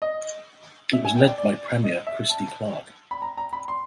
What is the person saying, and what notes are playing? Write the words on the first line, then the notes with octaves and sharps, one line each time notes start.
It was led by Premier Christy Clark.
D#5
E5
G#5
G5
D5
D5
D#5
E5
A5
B5
A#5
A#5
B5
C6